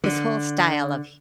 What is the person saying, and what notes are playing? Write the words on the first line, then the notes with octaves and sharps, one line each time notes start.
this whole style of h
D3